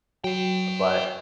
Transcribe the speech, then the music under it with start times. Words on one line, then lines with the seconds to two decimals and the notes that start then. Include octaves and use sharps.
Uh, but,
0.24 F#3 C#5 G5